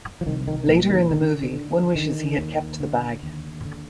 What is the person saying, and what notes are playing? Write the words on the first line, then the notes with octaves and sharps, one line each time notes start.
Later in the movie, one wishes he had kept the bag.
F3
C2 D#3
D#3
A#2 F3
D#3
D3 D#3
D3
D3
D3
D3 D#3
D#2
D3
D#2
D3